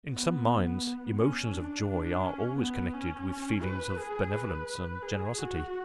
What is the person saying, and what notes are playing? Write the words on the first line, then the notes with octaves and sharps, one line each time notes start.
In some minds, emotions of joy are always connected with feelings of benevolence and generosity.
B3
C#4
D4
D4
C#4
B3
C#4
B4
G#4
B4
G#4
F#4